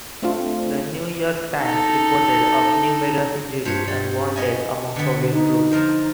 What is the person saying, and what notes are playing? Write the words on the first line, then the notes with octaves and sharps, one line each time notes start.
"The New York Times" reported of numerous injuries and one death among Soviet troops.
A3 C4 D4 F4
D#4 A4
G2 C5 C#5
G3
B3 D#5 G#5
D3 B3
D#4
F3 A#4 C5